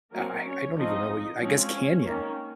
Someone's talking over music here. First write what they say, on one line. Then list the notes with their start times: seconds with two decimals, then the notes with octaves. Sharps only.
I I don't even know what you I guess canyon.
0.12 F#3 A#3 C4 A#4
0.44 C#4 C#5
0.77 F3 C4 D#4 D#5
1.41 F3 G#3 C4 C#4 C#5
2.06 D#3 A#3 C#4